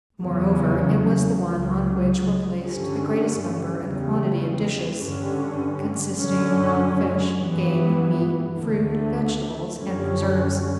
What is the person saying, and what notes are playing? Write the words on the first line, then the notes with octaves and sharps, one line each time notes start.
Moreover, it was the one on which were placed the greatest number and quantity of dishes, consisting of fish, game, meat, fruit, vegetables, and preserves.
E2 C#3 F#3 C#4
C#2 C#3 F#3
G2 D3 G3 C#4
E2 C#3 G3
G2 D3 G3 C#4
F#2 D3 F#3 C#4
G2 E3 B3
D2 D3 A3
F#2 D3 G3 C#4